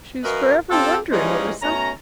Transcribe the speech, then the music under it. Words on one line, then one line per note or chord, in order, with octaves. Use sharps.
She was forever wondering over something.
F#2 C#4 A#4 B4 D#5 F5
C4 F4 G4 A4
E3 F3 G3 G#3 C#4 D#4
B2 A3 C#4 A#5